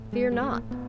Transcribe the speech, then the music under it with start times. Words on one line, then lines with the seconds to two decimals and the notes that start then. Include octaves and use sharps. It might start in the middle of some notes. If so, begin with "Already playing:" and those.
"Fear not!"
Already playing: A2
0.13 G#3
0.32 A2 G3
0.42 A3
0.51 A#3
0.71 B3